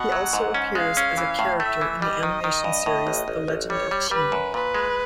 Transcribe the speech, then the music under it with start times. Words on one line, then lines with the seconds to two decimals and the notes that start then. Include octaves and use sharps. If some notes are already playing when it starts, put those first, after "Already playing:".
He also appears as a character in the animation series "The Legend of Qin".
Already playing: B2 F#5
0.12 F#3
0.33 G#2
0.54 C#4
0.75 G#3 F5
0.97 C#4
1.18 E3
1.39 A2
1.60 A3 E5
1.81 E3
2.02 G3 D#5
2.23 D#3
2.44 D#3
2.64 G2
2.86 A2
3.07 A1
3.28 A1
3.48 A1
3.70 G3 C#5
3.91 G3
4.11 G3 B4
4.32 F#2
4.54 A#2 B4
4.75 G#3